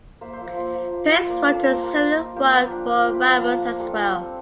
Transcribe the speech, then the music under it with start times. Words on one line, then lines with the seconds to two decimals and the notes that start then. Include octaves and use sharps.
Pace wrote a similar work for Ramus as well.
0.21 A#3 C5 E5
0.33 C5 E5
0.39 F3
0.45 C5 E5
0.57 A#3
0.75 F3
0.93 F4
1.11 F4
1.29 A#3 A#4 D5
1.47 F4 A4 C5
1.64 A#3 G4 A#4
1.83 A#3
2.00 F4
2.18 F4
2.36 A#3 G4
2.55 F3
2.72 D4
2.89 F4
3.08 E4 G4
3.26 F3
3.44 A#3
3.62 A#3
3.79 G3 F4 A4
3.97 G3
4.15 C4